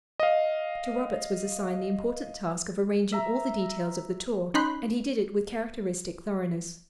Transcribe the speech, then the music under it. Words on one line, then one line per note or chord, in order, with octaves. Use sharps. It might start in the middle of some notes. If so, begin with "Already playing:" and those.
To Roberts was assigned the important task of arranging all the details of the tour, and he did it with characteristic thoroughness.
D#5 F5
E5 A#5
C#4 D#4 B5 C6 F#6 G6